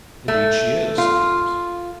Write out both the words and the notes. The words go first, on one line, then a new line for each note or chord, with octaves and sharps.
"Indeed she is," said Eames.
A3
F4